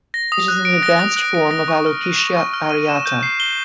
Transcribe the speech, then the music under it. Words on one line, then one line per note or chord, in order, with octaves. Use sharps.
It is an advanced form of alopecia areata.
A#6
D#6
F#6
D7
A#6
D#6
F#6
D7
A#6
C#6
F6
D#7
A#6
C#6
F6
D#7
E7
G6
C7
G7